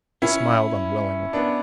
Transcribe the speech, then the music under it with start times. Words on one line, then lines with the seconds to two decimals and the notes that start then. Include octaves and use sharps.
He smiled unwillingly.
0.22 C#4 E4
1.33 B3 D4